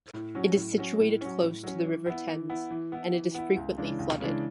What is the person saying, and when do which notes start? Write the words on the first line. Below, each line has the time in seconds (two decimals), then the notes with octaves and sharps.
It is situated close to the River Thames, and it is frequently flooded.
0.14 A2
0.35 F#3 C#4
0.56 A2
0.78 F#3 C#4
0.99 A2
1.21 F#3 C#4
1.42 A2
1.63 F#3 C#4
1.85 E3
2.06 B3 E4
2.28 E3
2.50 B3 E4
2.70 E3
2.92 B3 E4
3.13 E3
3.35 B3 E4
3.56 C#2
3.77 C#3 E3 G#3 D4
3.99 C#2
4.20 C#3 E3 G#3 D4